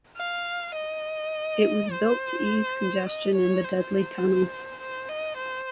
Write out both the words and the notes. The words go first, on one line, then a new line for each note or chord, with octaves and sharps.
It was built to ease congestion in the Dudley Tunnel.
F5
D#5
C5
D#5
C#5
C5
C5
D#5
C5